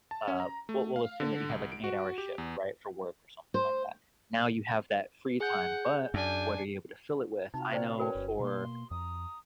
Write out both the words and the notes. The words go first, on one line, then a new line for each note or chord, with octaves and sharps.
uh we'll we'll assume that you had, like, an eight-hour shift, right? For work or something like that, now you have that free time, but what are you able to fill it with? I know for,
A5
C#4
A#5
A3
F5
D3
C2
D7
F#4
G4
E2
C5
G#4 F#5 G6
F#2 D4 G#5
C3 D#4 F4 F#4 A#5
C5 D5 G5
C#4 F#4 A#4 B4 C#5 G5
G1
B2 A3 A#3 C6
F2 A#5 D#6